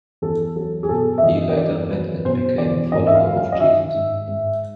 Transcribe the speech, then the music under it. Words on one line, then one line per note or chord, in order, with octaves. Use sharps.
He later met and became a follower of Jesus.
E2 A4
F#3 A4
G#4
B2 A4
E5
E2 D#5
D#5
E2 D5
F#3 B4
B2 C5
E2 D5
G#2 D#5
E5
F5
F#3
F5
D#5
D#3 E5
G#2
G#2